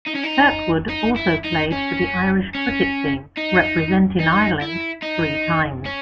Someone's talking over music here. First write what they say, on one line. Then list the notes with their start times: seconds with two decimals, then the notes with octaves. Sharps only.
Kirkwood also played for the Irish cricket team, representing Ireland three times.
0.06 D#4
0.15 C#4
0.23 D#4
0.90 D#4
1.17 E4
1.45 D#4
1.72 C#4
2.55 C#4
3.37 D#4
4.20 D#4
4.61 E4
5.02 D#4
5.86 C#4